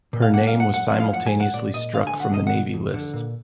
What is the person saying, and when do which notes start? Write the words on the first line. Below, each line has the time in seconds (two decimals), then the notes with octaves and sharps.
Her name was simultaneously struck from the Navy List.
0.13 A#2
0.22 F5
0.34 A#3 F#5
0.47 F5
0.54 B1
0.60 F#5
0.73 F#2 F#5
0.87 F#5
0.93 F3
1.00 F5
1.13 F#2 F#5
1.26 G#5
1.33 F#2
1.40 F#5
1.53 A#2 D5
1.74 A#2 D#5
1.94 D3 F5
2.07 G#5
2.13 D3
2.20 F#5
2.33 B2 D#5
2.47 F#5
2.53 B2
2.74 F2
2.94 D3
3.14 A#2